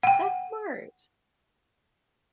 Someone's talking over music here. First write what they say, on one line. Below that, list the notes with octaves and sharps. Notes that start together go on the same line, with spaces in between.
That's smart.
F#5 G5